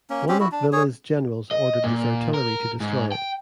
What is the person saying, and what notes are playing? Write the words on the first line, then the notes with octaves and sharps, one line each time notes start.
One of Villa's generals ordered his artillery to destroy it.
A#3 C#4
C4 C#4 G4
E4 F#4
D4
G#4 C#5
D#5
A#2
A#4
G#2
G5